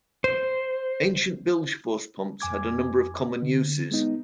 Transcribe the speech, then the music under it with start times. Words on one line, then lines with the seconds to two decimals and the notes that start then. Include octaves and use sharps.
Ancient bilge force pumps had a number of common uses.
0.24 C5
2.40 F2 G#5 D6 G#6
3.42 D3
3.91 G#3 B3 D#4